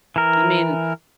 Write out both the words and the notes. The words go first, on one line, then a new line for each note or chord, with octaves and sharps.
I mean,
E3 A#4